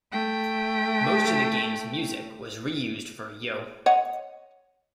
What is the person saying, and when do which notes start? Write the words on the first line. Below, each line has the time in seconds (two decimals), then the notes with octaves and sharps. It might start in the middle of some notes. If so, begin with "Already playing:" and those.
Most of the game's music was re-used for Yo!
0.12 A3 G5
3.86 C#5 D#5 F#5